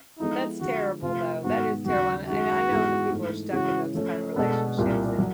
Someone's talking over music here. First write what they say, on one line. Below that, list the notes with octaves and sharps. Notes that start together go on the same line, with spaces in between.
That's terrible, though. That is terrible, and I I kn I know that people are stuck in those kind of relationships, and
F3 G#3 B3 D#4 E4 A4
D3 F3 G#3 F#4
C3 F3 A3 F4
G#2 D#3 G#3 B3 F#4
D#2 C#3 F#3 F#4
F#2 D#3 G#3 F#4
G#2 E3 G#3 B3
G#2 E3 A3
C#3 E3 G#3 C#4 F#4
F3 A3 C#4
B2 G#3 B3 D4 A4
C2 A#2 G3
F#3